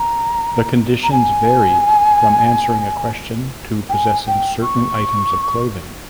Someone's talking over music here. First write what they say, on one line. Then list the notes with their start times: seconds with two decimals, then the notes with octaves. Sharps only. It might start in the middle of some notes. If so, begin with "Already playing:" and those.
The conditions varied, from answering a question to possessing certain items of clothing.
Already playing: A#5
1.03 A#5
1.12 G#5
3.89 G5
3.93 G#5
4.28 G5
4.62 C#6